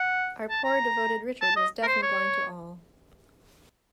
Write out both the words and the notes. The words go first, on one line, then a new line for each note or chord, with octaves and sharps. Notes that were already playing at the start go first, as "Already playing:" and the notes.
Our poor devoted Richard was deaf and blind to all.
Already playing: F#5
A5
A#5
A5
D#5
A#4
C5
C#5